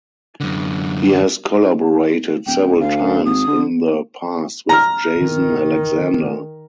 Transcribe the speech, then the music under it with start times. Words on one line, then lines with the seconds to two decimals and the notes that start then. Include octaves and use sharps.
He has collaborated several times in the past with Jason Alexander.
0.40 F#2 D3
2.46 D1 G5
2.80 D2 F5
3.25 G#1 D#6
3.47 D3
4.69 A#5 F6
5.20 D#3